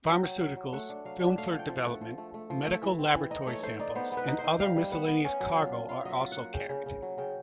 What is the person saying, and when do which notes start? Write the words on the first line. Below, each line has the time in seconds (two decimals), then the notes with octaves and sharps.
Pharmaceuticals, film for development, medical laboratory samples, and other miscellaneous cargo are also carried.
0.08 F#3 G5
0.24 F#3
0.41 F#3
0.56 F#3
0.73 A3 F#5
0.89 D4
1.05 F#3 F5
1.21 D4
1.38 A3 F5
1.53 F3 F#5
1.59 G5
1.69 F3
1.80 F#5
1.86 A3
2.01 F3
2.18 A3
2.34 A3
2.50 F3
2.66 A3 E5
2.82 E3
2.99 C4
3.15 E3
3.31 D#4 D#5
3.47 A3 C#5
3.63 A3 C5
3.79 D#4 D5
3.95 B3 C5
4.12 B3
4.17 B4
4.28 D#4
4.38 C5
4.44 D#4
4.60 G3 F5
4.76 G3
4.92 B3 F#5
5.08 B3
5.25 C#4
5.40 F#3
5.56 F4
5.72 F4
5.89 F4 F5
6.05 F#3 D#5 E5
6.21 F4
6.32 F#5
6.37 A#3
6.54 C#3 G5
6.70 C#3
6.86 C#3
7.02 F#3
7.18 C#3 G5